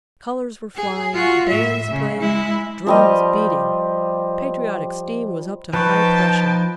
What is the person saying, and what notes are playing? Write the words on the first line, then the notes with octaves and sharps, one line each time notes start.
Colors were flying, bands playing, drums beating, patriotic steam was up to high pressure.
G#4
F4 F#4
A2 E5
C#3
G#3 E4
F3 G3 D#5
F3 D#4 B4 G5 A5 C#6